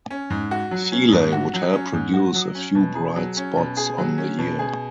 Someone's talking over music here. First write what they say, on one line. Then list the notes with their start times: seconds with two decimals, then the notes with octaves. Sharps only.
Feeley would help produce a few bright spots on the year.
0.10 C#4
0.30 G#2
0.51 F#4
0.71 F#3
0.92 C#4
1.12 G#2
1.32 F#4
1.54 F#3
1.73 C#4
1.94 G#2
2.14 F#4
2.34 F#3
2.55 C#4
2.75 B2
2.95 G#4
3.16 F#3
3.37 C#4
3.57 B2
3.77 G#4
3.98 F#3
4.18 C#4
4.38 B2
4.59 G#4